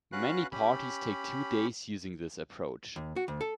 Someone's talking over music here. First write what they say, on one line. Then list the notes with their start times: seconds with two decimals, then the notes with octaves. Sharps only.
Many parties take two days using this approach.
0.12 C#4 F#4 B4 F5 F#6
0.52 C#4 G4 B5
2.96 D#2
3.16 F#4
3.28 D2
3.41 A4